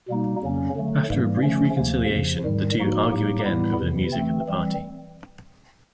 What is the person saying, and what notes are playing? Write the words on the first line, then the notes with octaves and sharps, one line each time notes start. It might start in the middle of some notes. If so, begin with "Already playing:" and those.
After a brief reconciliation, the two argue again over the music at the party.
B2 G3 A#3 D#4
F2 C#3 F#3 A#3 C#4
D3 F#3 A3
G#2 E3 G3 A#3
C#3 F3 A3 C#4
D2 C3 F3 A#3
F2 C#3 F3
G#2 D#3 G3
G#2 F3 A#3 D#4 F#4
A2 F#3 A#3 D#4 G4
A2 E3 G3 B3 E4
E2 C3 E3
E3 A3 C4
E3 G3 C4